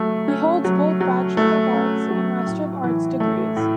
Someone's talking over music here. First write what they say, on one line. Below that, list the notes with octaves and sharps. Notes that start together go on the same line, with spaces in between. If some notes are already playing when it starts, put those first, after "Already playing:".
He holds both Bachelor of Arts and Master of Arts degrees.
Already playing: F#3 A3
C#4
F#3
F#3
A3
C#4
F#3
A2
E3
A3
A2